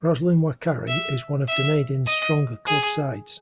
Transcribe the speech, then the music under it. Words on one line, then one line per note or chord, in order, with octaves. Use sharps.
Roslyn-Wakari is one of Dunedin's stronger club sides.
E5
E5
D#5
G#4